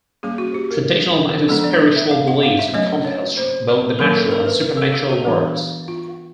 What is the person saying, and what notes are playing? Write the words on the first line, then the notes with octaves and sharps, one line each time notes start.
Traditional native spiritual beliefs encompassed both the natural and supernatural worlds.
G3 A#3 C#4 G#4
F#4
G4
A#4
F3 G#3 B3 D4 A4
D5
E5
F5
F#5
F5
E5
F#3 A3 C#4 D#5
C#5
C5
B4
D#3 F#3 A#3 C#4 A#4
A4
A#4
B4
A#4
A4
G#4
F#4
E3 G3 B3 D4
F4